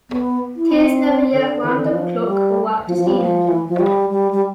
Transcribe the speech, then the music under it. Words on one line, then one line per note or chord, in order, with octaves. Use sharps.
Tears never yet wound up a clock, or worked a steam engine.
B3
E4
C4
D3
E3
D3
E3
F3
G3
F3
F3
G3
F3
E3
F3
G3
G3
G3